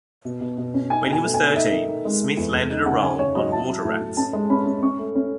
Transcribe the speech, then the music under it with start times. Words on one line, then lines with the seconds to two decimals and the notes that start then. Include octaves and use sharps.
When he was thirteen, Smith landed a role on "Water Rats".
0.25 B2
0.41 B2
0.58 B2
0.74 C#4
0.90 D#4 G#5
1.06 B2
1.13 G#5
1.23 A3
1.34 G#5
1.40 A3
1.55 D#4 E5
1.72 D#3
1.88 D#4
2.05 G#3
2.21 A3
2.37 E2
2.54 E2
2.70 D#4
2.86 C#3 F#5
3.02 C#3 G#5
3.19 C#3 C#5
3.35 F#3 D#5
3.52 E4 A5
3.68 F#3
3.85 A2
4.01 A2
4.17 C#4 A5
4.33 G#3
4.50 C#4 B5
4.66 C#4
4.82 C#4 C#6
4.99 A3
5.15 C#4